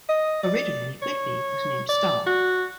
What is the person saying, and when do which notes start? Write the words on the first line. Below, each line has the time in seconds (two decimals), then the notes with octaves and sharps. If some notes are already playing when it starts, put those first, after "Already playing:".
Originally, Whitby was named Stahl.
0.09 D#5
0.43 D5
1.02 C#5
1.89 D5
2.27 F#4